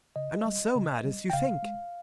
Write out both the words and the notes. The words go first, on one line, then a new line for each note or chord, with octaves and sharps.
I'm not so mad as you think.
C#3 D#5
G3
C#3
G3
G5
C#3 F5
G#3